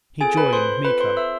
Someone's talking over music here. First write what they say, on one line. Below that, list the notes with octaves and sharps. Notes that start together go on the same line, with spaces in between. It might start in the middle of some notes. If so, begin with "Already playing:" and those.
He joined Miko.
C4 F4 G#4 A4 G#5
B4 B5
C5 C6
C4 F4 A4 B4 B5
C5 C6
E5 E6